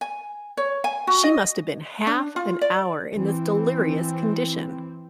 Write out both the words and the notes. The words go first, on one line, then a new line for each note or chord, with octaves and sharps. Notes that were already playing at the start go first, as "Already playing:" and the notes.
She must have been half an hour in this delirious condition.
G#5
C#5
G#5
F#4
D#5
D4
F4
D5
E3 C4